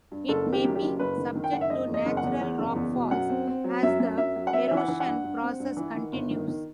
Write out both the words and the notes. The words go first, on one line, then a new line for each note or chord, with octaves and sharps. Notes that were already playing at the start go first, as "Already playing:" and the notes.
It may be subject to natural rockfalls as the erosion process continues.
G2
F#1 A4
D#3
G4
F#2
G4
F#1
F#1 B4
D#3
D#3
G5
F#1 F#5
E5
F#1 D#5
E2
D#5
F#1
F#5
E2
E2
F#1
E2
B2
F#2 F#5
C4
C4
F#3
F#2 E5
F#2
F#2 E5
F#3
F#5
C4 E5
E3 E5
F#5
E3
F#5
G2
G2
C4
G2
E3
D#3
G1
D#3
D#3